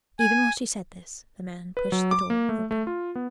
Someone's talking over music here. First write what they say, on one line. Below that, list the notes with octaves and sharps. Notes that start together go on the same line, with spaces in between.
Even while she said this, the man pushed the door open.
G#5
B4
F#3
D6
A#3
A3
A3
F4
B3